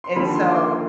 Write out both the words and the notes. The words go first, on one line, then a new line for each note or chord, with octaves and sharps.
and so
C6
D#2 D3 F3 B5
C6
D6
C6